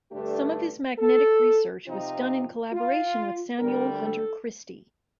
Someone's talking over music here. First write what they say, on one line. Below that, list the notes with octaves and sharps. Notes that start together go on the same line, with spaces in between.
Some of his magnetic research was done in collaboration with Samuel Hunter Christie.
G2 D3 A3 D4 G4
A4
C3 F3 C4 D#4 F4
F4
D2 D3 G3 A#4
A4